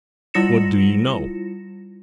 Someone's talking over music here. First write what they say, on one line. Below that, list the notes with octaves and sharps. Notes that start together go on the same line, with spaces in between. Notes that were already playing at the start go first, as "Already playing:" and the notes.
"What do you know?"
G3 E4 F4 A#6 C#7 E7